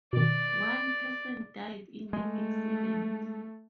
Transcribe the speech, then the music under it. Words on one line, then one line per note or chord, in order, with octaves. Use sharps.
One person died in the accident.
B2 D#3 D5
G#3 A3